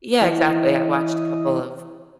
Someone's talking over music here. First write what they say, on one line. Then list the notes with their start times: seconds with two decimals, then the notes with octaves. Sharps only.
Yeah, exactly, I watched a couple of
0.21 E3 E4 D#5